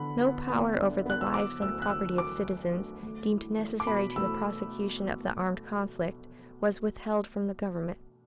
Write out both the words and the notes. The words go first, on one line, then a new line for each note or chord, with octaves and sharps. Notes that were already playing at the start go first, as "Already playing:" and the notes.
No power over the lives and property of citizens, deemed necessary to the prosecution of the armed conflict, was withheld from the government.
Already playing: D3 B3 B5
B3
E2
D4
B3 F#6
E6
F#3 D6
D2 E6
F#6
F#3 E6
F#3 D6
F#3
D2
A3
E4
A3
D6
B2 B5
A3 E6